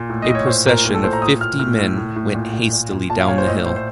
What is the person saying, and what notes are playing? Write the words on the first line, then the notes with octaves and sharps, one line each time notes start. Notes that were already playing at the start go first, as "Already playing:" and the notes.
A procession of fifty men went hastily down the hill.
Already playing: A#2
A2
D#5
A2
C#5
A#2 C5
A#2 A#4
A2 A#4
A4
A2 C5
A#5
A#2 D#6
A#2 F6
A2 F6
A2
A2
A2
A#2
A#2
A#2
A#2
A#2 A5
F5
A#2 C#5
C5
A2 D#5
A2 C5
C5